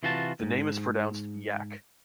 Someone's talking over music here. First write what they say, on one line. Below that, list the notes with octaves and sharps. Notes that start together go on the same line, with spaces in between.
The name is pronounced "Yack".
C3 E3 F4 F#4 B4 A5
C#2 G#2